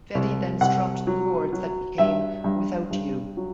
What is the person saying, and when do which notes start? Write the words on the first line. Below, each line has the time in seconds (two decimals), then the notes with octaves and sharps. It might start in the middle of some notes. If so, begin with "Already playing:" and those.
Fedi then strummed the chords that became "Without You".
0.15 C2
0.61 C2 F#5
1.07 F#3
1.53 F#3
1.98 G2 E5
2.44 G2
2.91 G2
3.37 F#3